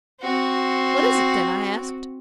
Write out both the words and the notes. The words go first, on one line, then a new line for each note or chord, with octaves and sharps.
"What is it, then?" I asked.
C4 F#4